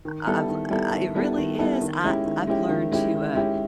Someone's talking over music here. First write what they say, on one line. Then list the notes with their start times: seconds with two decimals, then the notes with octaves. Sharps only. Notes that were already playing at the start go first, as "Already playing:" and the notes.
I I've uh, it really is. I I've learned to, uh,
0.05 D#3
0.26 G3 B3 E4 A4
0.49 D#3
0.70 G3 B3 E4 A4
0.92 D#3
1.15 G3 B3 E4 A4
1.37 D#3
1.59 G3 B3 E4 A4
1.81 D#3
2.04 G#3 C#4 E4 G4
2.25 D#3
2.47 G#3 C#4 E4 G4
2.69 D#3
2.92 G#3 C#4 E4 G4
3.14 D#3
3.35 G#3 C#4 E4 G4